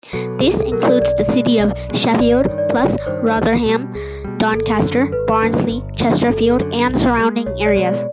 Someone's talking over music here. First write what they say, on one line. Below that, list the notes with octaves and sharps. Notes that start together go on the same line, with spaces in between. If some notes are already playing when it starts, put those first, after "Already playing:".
This includes the city of Sheffield, plus Rotherham, Doncaster, Barnsley, Chesterfield and surrounding areas.
B2 F#3 A4
C2 G#4
A4
B2 F#3 A#4
D5
B1 D5
B2 G#3
B1
B2 G#3
G#1 D5
C#5
G2 D#3
D5
G#1 C#5
G2 D#3 C5
C#2
B2 G3
C#2 G#4
B2 G3
G#1 A4
F#2 D3
G#1 B4
F#2 D3
G1
F#2 D3
G1 A4
F#2 D3
B1
B2
G#3
B1 C#5
D5
B2 G#3
D5